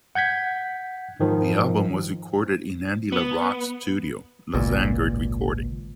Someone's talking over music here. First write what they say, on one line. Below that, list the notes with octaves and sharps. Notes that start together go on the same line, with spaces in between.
The album was recorded in Andy LaRocque's studio Los Angered Recording.
F#5 G6 G#6 B6
G#2 D#3 F3
B3
G#1 C#2 A#2